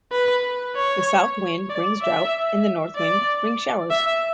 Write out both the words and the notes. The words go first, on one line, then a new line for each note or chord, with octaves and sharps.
The south wind brings drought and the north wind brings showers.
B4
C#5
D5
E5
D5
E5